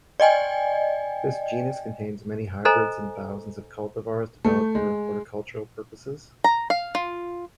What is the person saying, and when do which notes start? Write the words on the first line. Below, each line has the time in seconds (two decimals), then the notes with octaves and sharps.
This genus contains many hybrids and thousands of cultivars developed for horticultural purposes.
0.20 D5 D#5 G5 G#5
2.65 A4 C5 D#5 G#5 A#5
4.45 A3
4.75 G#3
6.44 A#5
6.70 F5
6.95 F4